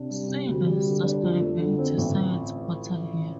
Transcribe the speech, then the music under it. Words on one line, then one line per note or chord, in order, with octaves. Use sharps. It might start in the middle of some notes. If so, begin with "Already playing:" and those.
See the Sustainability Science portal here.
Already playing: C3 D4
G3
C3
D2
G3
D3
D4
F2
A3
D3
C4
A1